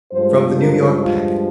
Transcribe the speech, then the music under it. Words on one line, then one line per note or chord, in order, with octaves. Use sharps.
From the New York Packet.
G2 F3 G#3 C5
A#4
F4